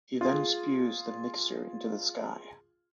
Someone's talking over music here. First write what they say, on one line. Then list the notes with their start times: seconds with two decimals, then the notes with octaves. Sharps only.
He then spews the mixture into the sky.
0.21 F4 G#4